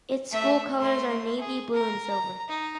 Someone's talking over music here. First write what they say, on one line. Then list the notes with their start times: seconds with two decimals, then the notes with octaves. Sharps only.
Its school colors are navy blue and silver.
0.32 A3 E5
0.77 A3 C6
1.40 G#4
1.73 A#4
2.07 A#5
2.49 D#4